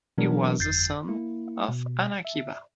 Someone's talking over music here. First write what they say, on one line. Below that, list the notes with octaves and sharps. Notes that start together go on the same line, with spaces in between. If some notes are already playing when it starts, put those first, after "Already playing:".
He was the son of Anaquiba.
B2 E3 F#3 B3 D4 A#4
G1 F2 G6 A6 C7
A#3 E4
B2
E5